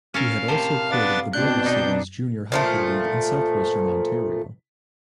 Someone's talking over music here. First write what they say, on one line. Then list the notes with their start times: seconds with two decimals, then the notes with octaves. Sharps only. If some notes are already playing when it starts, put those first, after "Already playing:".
He had also courted the Border Cities Junior Hockey League in Southwestern Ontario.
0.14 C#4 A4 A#4 F5
0.48 A2 C3 A#4 C5 A5
0.91 B3 D4 F5 A6
1.33 B2 C4 D4 F#6 G6
1.66 D#4
2.52 A#2 F3 A3